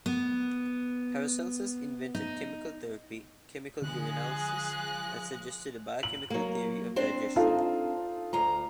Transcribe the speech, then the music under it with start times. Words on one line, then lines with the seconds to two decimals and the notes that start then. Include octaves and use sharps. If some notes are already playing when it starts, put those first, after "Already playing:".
Paracelsus invented chemical therapy, chemical urinalysis, and suggested a biochemical theory of digestion.
0.06 B3
2.15 D#4
3.82 D3 F3 G#3 G#4 F#6
6.03 F#7
6.30 F#3 A#3
6.96 C4 D4 C5
7.36 D#4 F4 A4
8.33 D2 F4 A#5